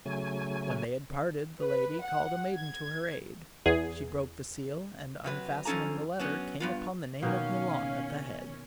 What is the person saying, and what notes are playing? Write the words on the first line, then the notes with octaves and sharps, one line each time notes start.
When they had parted the lady called a maiden to her aid. She broke the seal, and unfastening the letter, came upon the name of Milon at the head.
C#3 F#3 A3 G#5
B4
F#5
G#6
E2 G#4
C3 F#3 B4
F#2 F3 C#4 A4 G#5 A#5
F#3 B3 C#4
G2 B3 F4
B2 D#3 A#3 C#4 F5